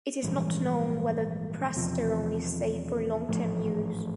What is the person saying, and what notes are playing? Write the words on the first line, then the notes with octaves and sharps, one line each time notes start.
It is not known whether prasterone is safe for long-term use.
A#1 G#2 E3 G3
E1 E2 C3 F3
A1 G#2 F3 A3